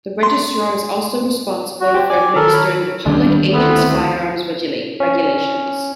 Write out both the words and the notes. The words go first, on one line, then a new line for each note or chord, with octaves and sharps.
The Registrar is also responsible for administering the "Public Agents Firearms Regulations".
C6
F#4
G4 C5
D5 G#5
D#3 A4 A#4
C#5 B5
D2 D#3 G3 C#4 D4
A3 B3 C4 E4
C#4